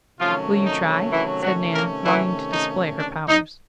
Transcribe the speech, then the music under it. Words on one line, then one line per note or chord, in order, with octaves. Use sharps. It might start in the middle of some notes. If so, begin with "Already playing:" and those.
"Will you try?" said Nan, longing to display her powers.
C3 D#3 F3 F#3 A3 C#4 F4
D#4
E3 E4
F#3 F#4
A#3 A#4
E3 E4
D#4
D4
D#4